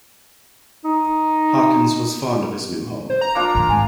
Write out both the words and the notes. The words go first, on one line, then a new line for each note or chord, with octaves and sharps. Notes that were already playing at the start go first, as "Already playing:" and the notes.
Hawkins was fond of his new home.
D#4
C5
A#5
A#3 D4 F4
G2 D#3
G#1 G#2 G#5